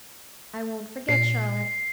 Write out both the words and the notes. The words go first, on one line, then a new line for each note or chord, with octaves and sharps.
'I won't forget, Charlotte.'
A#2 C7